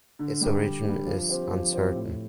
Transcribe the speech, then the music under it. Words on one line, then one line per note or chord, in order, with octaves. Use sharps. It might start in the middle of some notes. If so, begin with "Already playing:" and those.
His origin is uncertain.
D3
G3 D4 G4
D3
G3 D4 G4
F3
C4 G4 C5
F3
C4 G4 C5
A2